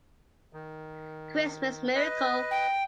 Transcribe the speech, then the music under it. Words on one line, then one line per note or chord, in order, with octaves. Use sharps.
Christmas miracle.
D#3
B4 D#5
G5